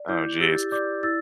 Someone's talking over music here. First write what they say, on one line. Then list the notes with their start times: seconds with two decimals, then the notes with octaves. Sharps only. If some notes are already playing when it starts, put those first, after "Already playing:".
Oh, jeez.
Already playing: D5
0.08 E4 D6 G6
0.40 G4 E6 A6
0.71 D5 D6 G6
1.03 E4 E6 A6